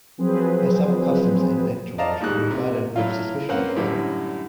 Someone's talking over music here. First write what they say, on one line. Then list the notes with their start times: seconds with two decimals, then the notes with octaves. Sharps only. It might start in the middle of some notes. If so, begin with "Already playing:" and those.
Her southern customs and entourage were regarded with suspicion at court.
0.18 F3 F#3 C4 G#4 B4 C5
1.98 D5 D#5 F5 A5 A#5
2.20 D#2 G#2 G3 F#6
2.50 C3
2.96 A2 F#3 F4
3.49 A#3 C4 C#4 B4 F5 F#5
3.76 F#2 A2 D3 G3